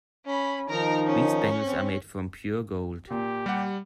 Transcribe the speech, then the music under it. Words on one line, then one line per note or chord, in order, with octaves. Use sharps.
These bangles are made from pure gold.
C#4 B5
D#3 F3 D#4 A#4 A#5
C#4
C4
A#2 G4
G3 F#5